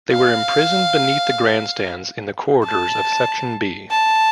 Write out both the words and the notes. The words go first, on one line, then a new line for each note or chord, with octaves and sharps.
They were imprisoned beneath the grandstands in the corridors of Section B.
F5
A5
A5